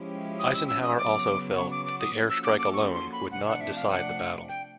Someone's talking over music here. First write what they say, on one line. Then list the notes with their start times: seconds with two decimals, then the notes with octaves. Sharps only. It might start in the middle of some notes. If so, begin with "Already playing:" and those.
Eisenhower also felt that the airstrike alone would not decide the battle.
Already playing: F3 G#3 C#4 E4 G4
0.39 D#6
0.54 E6
0.68 E6
0.83 D#6
0.98 C#3 F#3 B3 D6
1.56 C#6
1.71 D6
1.86 D6
2.00 D#6
2.15 F3 A#3 C#4 F#4 A4
2.30 E6
2.44 D6
2.59 D6
2.74 C#6
2.93 C6
3.12 B5
3.31 C3 F3 A3 D4 F#5
3.47 F#5
3.61 E5
3.76 F5
3.91 F#5
4.49 G5